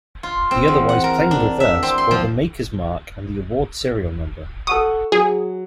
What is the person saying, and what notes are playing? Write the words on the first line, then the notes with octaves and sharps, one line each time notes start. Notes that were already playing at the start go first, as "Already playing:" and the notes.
The otherwise plain reverse bore the maker's mark and the award serial number.
F4
C4
E2
F#5
A#4
D4
E5
C4
C6
F3
A4 F#5 C#6 D#6
F#3 G#4